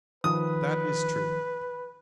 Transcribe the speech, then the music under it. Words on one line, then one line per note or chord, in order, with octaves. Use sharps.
That is true.
D#3 F3 B4 D#6